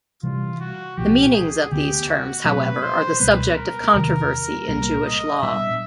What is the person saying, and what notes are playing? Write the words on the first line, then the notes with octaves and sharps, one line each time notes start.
The meanings of these terms, however, are the subject of controversy in Jewish law.
C3 E3 G3 F4
F#4
C2 A#2 F3 G4
G#4
D2 D3 G3 B3 G4
F#4
B2 F#3 A3 C4 B4
C5
C#2 B2 G3 B3 B4
A#4
E2 C3 D#3 F#3
C2 A#2 G3 A#3 A#4
D#5
A#2 G3 B3 D4 E5